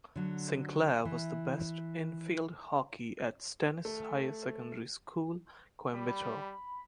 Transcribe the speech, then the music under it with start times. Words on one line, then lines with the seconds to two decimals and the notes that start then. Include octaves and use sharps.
Sinclair was the best in Field Hockey at Stanes Higher Secondary School, Coimbatore.
0.16 D3 F#3
1.05 E3
3.85 A3
5.93 G3 B5